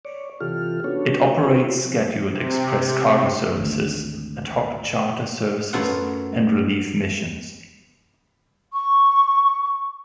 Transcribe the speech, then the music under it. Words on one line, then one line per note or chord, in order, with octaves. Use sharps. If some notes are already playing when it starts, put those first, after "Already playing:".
It operates scheduled express cargo services, ad hoc charter services and relief missions.
C#5 D5
C3 E3 F4 G4 A4 F6
B3 C#4 D4 F#4 A4 C#5
C4 D4 F4 F#4 A4 B4
C4 E4 F#4
C3 F#3
C3
G#1 D2
F#2 F#3 A3 B3 F4 F#5
C#6